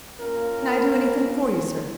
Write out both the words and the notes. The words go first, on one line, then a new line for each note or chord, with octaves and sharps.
"Can I do anything for you, sir?"
A#3 C#4 F4 A#4